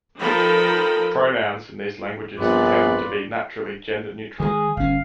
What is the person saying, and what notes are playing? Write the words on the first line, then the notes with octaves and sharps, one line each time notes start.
Pronouns in these languages tend to be naturally gender-neutral.
F3 D#4 A4 A#4 G5 B5
A#1 G2 B3 C4 F4 B4 D5
D#3 F3 G#3 G#4
G1 C#4 F5